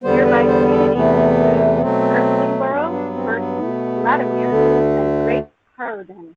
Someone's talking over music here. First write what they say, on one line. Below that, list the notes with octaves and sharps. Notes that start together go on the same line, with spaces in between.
Nearby communities include Irthlingborough, Burton Latimer and Great Harrowden.
E2 D3 G3 B3 C5
B4
C5
A4
E2 C3 E3 A3 B3
B3
B2 F#3 A3 C4
G2 F#3 B3 D4
D4
C4
B3
B2 A3
D2 D3 A3